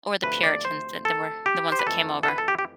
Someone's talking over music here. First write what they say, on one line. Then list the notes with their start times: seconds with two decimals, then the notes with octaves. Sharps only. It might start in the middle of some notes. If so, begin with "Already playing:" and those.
Or the Puritans that that were the ones that came over.
0.23 D2 C3 F3 A3 B4
0.44 D5
0.65 C5
1.05 A4
1.46 G4
1.72 C5
1.79 B4
1.87 F2 E3 A3 A4
2.23 A4
2.28 B4
2.38 A4
2.48 G4
2.59 G4